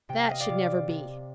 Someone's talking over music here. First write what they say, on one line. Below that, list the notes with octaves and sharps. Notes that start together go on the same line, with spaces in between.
That should never be.
C3 G5
F5
D#5
D5 F5
C3
C3